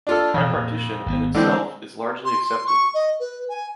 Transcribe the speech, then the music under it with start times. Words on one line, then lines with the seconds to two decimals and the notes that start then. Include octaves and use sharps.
Tripartition, in itself, is largely accepted.
0.07 D4 F4 A4
0.34 F2 B2 E3
0.55 A#2
1.06 G#1 D#3 B3
1.35 D3 E3 G#3 C4
2.25 C6
2.44 C6
2.67 C#6
2.94 D#5
3.20 B4
3.49 G#5